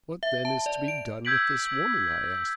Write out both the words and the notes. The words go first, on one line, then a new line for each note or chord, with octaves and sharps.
"What, then, is to be done with this woman?" I asked.
E5
A5
D5
D7
E6 G6 G#6 B6 D7 F#7